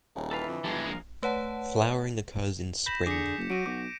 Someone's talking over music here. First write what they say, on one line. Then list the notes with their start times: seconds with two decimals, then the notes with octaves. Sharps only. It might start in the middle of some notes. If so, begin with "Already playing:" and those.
Flowering occurs in spring.
0.16 D#1 C#3
0.31 E3 A4 B4 F5
0.48 F2 D3
0.64 G1 F3 G#3 G4 A4
0.86 A#1 G#4 A#4 F5
1.23 A3 B4 C#5 F#5 A5
2.86 B5 G6 A#6 E7
3.06 D3 G#4 D6 B6 C#7
3.37 F#1
3.50 F#3 F#4 D7 D#7
3.66 B1 D6